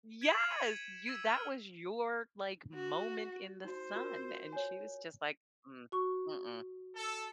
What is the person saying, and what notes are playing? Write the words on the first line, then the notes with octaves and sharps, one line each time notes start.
Yes! "You that was your, like, moment in the sun," and she was just, like, "Mm, mm-mm."
G#6 B6 D7 E7 F#7
G#6 C#7 D#7
E6 G#6 B6
E6 F6
F#4
D#4 F#4 C5
F4 F#4 A#4
C#5 G#5
F#4 C#6
A4